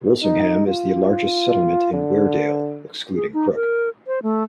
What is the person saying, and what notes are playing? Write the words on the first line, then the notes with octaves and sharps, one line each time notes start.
Wolsingham is the largest settlement in Weardale, excluding Crook.
D#4
F4
D3
G#4
D#4
A#4
C5
A3